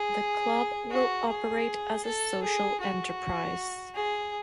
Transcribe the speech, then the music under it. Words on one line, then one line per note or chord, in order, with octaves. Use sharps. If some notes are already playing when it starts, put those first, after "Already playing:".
The club will operate as a Social enterprise.
Already playing: G#4
F#4
G#4
A4
G#4
F#4
G#4